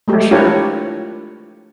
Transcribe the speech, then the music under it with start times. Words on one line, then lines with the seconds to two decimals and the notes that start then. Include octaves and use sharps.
for sure.
0.08 G#3 A3 G4
0.31 D4 E4 F4 G4 A#4 C#5